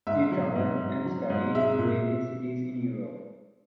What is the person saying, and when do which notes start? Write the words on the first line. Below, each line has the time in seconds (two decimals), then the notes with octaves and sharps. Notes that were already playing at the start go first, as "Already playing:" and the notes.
He traveled and studied in various cities in Europe.
0.07 G#2 E5
0.31 F#3
0.55 G#2
0.81 G#2
1.05 F#3
1.30 G#2
1.55 G#3 E5
1.79 A#2